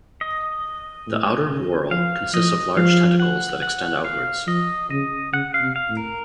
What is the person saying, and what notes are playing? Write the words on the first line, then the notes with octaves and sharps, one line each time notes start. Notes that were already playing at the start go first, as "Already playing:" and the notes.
The outer whorl consists of large tentacles that extend outwards.
D#5
A2
C#3
F3 F5
F3 D#5
F3 F5
F#5
F#5
F5
F3 D#5
C#3 D#5
C#3 F#5
F5
C3
F5
A2
A#4